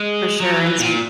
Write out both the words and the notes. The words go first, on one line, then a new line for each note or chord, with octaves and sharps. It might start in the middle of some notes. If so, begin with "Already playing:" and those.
For sure. And so y
Already playing: G#3
F#3
E3
A#2